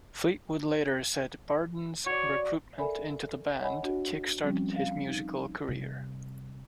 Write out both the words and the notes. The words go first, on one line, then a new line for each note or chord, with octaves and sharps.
Fleetwood later said Barden's recruitment into the band kick-started his musical career.
F#4 C#5 D5
A4 A#4 D5 E5 G#5 B5
C#5 D#5 F#5 G#5 B5
D4 F#4
F3 G3 C4 C#4
F5
D#4
C3 G3